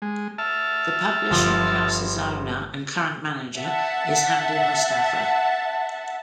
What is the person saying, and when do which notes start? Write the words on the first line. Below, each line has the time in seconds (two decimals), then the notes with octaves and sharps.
The publishing house's owner and current manager is Hamdi Mustafa.
0.02 G#3
0.38 E5 A5 F6
1.31 G1 F3
3.58 E5 F#5 A5